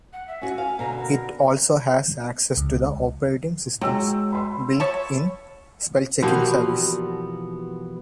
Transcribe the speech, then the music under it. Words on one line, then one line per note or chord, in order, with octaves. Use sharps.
It also has access to the operating system's built-in spell-checking service.
F#5
E5
C#4 F#4 G#5
F5
B2 D3 A#5
A#4
C#2
F#3 G#3 G5 E6
B5 C6 E6
C#5 E5 A5
B2 E3 F3 G3 A#3 B3